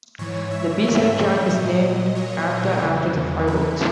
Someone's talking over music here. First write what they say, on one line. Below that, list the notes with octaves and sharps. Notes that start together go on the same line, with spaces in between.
The B-side track is named "After, After the Fireworks".
G#2 E3 C#5
E5
E5
A#2 F#3 D#5
C#5
E2 C#3 E3
B4